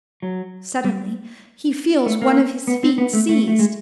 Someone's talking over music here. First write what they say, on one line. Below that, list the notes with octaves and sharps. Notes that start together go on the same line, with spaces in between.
Suddenly he feels one of his feet seized.
F#3
G3
A3
A#3
B3
C4
B3
A3
A3
A3
G#3